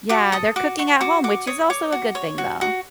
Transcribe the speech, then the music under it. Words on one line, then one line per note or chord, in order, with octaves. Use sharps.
Yeah, they're cooking at home, which is also a good thing, though.
F#4 D6
A4 D#6
F#4 D6
F#4 C#6
F#4 D6
F#4 D6
C#5 D#6
C#5 D6
F#4
C#5
F#4
F#4